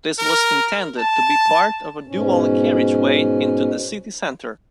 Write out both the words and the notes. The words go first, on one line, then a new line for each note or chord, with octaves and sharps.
This was intended to be part of a dual carriageway into the city centre.
A#4
A5
G#2 B2 C#4